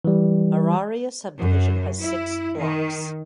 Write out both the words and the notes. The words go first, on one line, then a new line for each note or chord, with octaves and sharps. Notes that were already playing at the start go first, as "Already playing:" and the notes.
Araria subdivision has six blocks.
E3 G3
F#2
E4
D#3